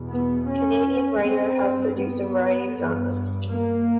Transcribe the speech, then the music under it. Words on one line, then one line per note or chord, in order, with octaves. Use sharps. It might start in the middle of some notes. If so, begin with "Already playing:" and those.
Canadian writers have produced a variety of genres.
Already playing: E2 B2
B3
C#4
G2 C4
B3
G2
A#3